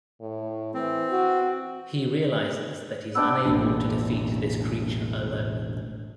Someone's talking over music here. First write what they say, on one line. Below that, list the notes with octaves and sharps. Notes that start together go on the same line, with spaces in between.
He realizes that he is unable to defeat this creature alone.
A2
E3 C4
F#4
B3 D4 G5 E6
E1 A1 A#3 D4